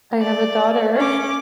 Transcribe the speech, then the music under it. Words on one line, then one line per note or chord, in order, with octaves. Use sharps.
I have a daughter
D5
C#4 D6